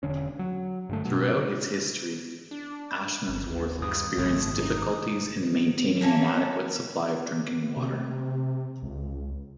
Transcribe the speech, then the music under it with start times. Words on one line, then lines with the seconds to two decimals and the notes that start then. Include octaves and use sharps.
Throughout its history Ashmansworth experienced difficulties in maintaining an adequate supply of drinking water.
0.03 E1 D3 C#4
0.39 F#3
0.89 G2 D3 A3
1.05 B2 F#3
2.51 D4
3.28 G1
3.50 D#2
3.82 G2 D#6
4.17 G#1 F#2 C#3 A3
4.58 D#4
6.01 E3 A#3 C#4 A4
7.76 C3
8.82 C#2